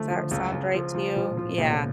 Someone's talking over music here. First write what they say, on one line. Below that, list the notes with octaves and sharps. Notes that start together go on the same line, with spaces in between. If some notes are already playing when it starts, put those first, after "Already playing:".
Does that sound right to you? Yeah.
Already playing: D3 F3 A3
F3
D3
C#2 C#3
C#2
F3
F3
B2 F3
A#2
F3
A2
C#2 A#2
B2
C#3